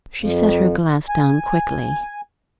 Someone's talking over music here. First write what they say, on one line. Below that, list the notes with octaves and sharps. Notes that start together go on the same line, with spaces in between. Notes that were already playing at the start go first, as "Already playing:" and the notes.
She set her glass down quickly.
F2
G#5